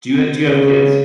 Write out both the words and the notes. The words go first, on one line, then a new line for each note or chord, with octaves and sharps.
do you do you have kids?
C#3